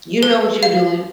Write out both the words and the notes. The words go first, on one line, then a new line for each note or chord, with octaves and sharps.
You know what you doing.
B4
F5